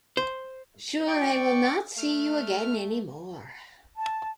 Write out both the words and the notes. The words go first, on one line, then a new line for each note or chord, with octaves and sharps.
Sure I will not see you again any more.
C5
D5 G5 C#6
A3 F6
A5